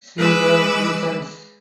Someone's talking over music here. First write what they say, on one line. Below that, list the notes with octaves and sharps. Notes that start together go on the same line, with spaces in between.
She had two sons.
G#3 B4 D6 E6